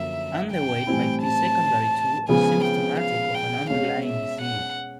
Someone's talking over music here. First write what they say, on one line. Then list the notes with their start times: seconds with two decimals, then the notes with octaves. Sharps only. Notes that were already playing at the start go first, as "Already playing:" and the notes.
Underweight might be secondary to or symptomatic of an underlying disease.
Already playing: F#2 D3 F3 A#3 C#4 E5
0.52 G5
0.87 A2 E3 G3 C4 E4
1.22 A5
2.29 C#3 F3 G#3 B3 G#5
2.64 G5
3.00 F5
3.35 G5
3.70 B2 G#3 C#4 F5
4.06 E5
4.41 F#5